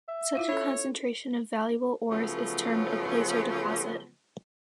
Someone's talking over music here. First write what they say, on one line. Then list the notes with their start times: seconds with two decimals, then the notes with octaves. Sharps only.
Such a concentration of valuable ores is termed a placer deposit.
0.08 E5
0.35 E4 F4 F5
0.49 C#4 A4 C#5
2.09 C#3 F3 F#3 A3 B3